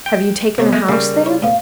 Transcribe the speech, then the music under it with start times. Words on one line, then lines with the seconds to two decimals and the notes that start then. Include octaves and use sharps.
Have you taken a house there?'
0.06 G5
0.58 C3 A#3 B3 C#5 A5
0.73 G#3 A3
0.89 C#3 G3 A#3 A#4 G#5
1.26 E4 C#5
1.42 A2 B3 F5